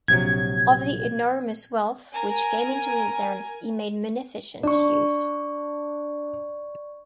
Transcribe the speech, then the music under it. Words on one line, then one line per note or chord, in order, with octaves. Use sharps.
Of the enormous wealth which came into his hands he made munificent use.
A#1 C3 F#3 G#6
A#4 G#5 A#5
D4 D5 C#6